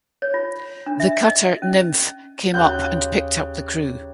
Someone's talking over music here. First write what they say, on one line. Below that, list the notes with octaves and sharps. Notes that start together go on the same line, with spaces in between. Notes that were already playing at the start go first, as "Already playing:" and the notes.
The cutter "Nymphe" came up and picked up the crew.
C#5
F4
D4
E5
D#5
C#4
D#2 C#3 F#4 G4 A#5 C6 F#6 G6